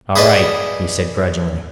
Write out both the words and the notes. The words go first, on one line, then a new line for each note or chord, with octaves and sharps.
"All right," he said grudgingly.
G#4 B4 D5 D#5 A5